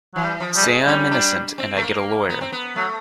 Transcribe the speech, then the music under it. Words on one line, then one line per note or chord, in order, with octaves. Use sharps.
Say I am innocent and I get a lawyer.
E3 F#3
G3
F3
G3
G#3
G3 C#4
D4
C4
A3
A#3
B3
C4
B3
F#3 A3